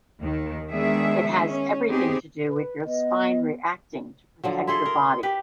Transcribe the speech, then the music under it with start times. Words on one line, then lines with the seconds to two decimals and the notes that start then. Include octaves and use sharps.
It has everything to do with your spine reacting to protect your body.
0.21 D#2 D#3
0.70 D#3 G#3 B3 D4 G#4 E5
1.47 C#4
1.88 B3 C4 D#4 G4 G#4
2.46 B4
2.85 B3 D#5
4.44 D3 F3 F#3
4.67 E4 G#4 A4 C6
4.86 A#4
5.23 G4 B4